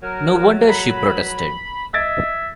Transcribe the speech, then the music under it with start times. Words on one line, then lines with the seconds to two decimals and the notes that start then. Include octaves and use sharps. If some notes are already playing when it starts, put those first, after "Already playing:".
No wonder she protested.
0.03 F#3 A#4
0.69 A#5 B5 B6
1.94 D#5 E5 G#6 A6 D7